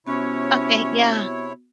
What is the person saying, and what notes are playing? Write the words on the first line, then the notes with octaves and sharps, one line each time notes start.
Okay, yeah.
C3 B3 C#4 E4 F#4 C#5